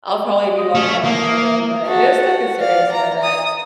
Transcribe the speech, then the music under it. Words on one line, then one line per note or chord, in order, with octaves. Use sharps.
I'll probably be long gone by then, but it is still concerning to know that
D#5
A3 C#4
A#3 D#6
F#4 A4
F#5
D5 F5
A#5
D#6